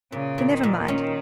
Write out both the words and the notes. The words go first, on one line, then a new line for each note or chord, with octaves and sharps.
But never mind.
A#2 C#3
A#2
D#3
A#2
C#4